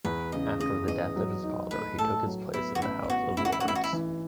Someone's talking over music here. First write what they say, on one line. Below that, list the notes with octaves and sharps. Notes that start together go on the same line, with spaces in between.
After the death of his father, he took his place in the House of Lords.
E2 B4
C#3 D#5
C#3 D#5
E2 D#5
F#3
D#4
A3 B4
A2 A4
F#3
B3 E4
F#4
A1 E4
B3 F#4
A1 E4
F#4
E4
F#4
A1 E4
F#4
E4
E3